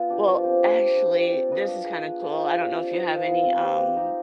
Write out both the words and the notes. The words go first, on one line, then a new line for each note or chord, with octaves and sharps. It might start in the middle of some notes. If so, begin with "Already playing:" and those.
Well, actually, this is kinda cool. I don't know if you have any, um,
Already playing: B3 F4
D4 G4
F3
C4 G4
D4
G4 C5
D4
G4 D5
C4
F4 B4 D#5
D4
G#4 B4
B3
F4 G#4 C5
D4
G4 D5
C4
D#4 B4 D#5
F3
B3 F4
C4
G4 B4 F5
C4
D#4 G4